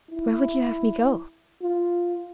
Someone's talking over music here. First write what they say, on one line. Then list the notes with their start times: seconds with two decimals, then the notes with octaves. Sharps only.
"Where would you have me go?"
0.11 E4
1.62 F4